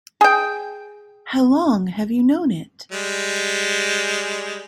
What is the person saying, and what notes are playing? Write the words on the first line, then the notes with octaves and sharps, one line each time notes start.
How long have you known it?
G#4 G5
G3 G#3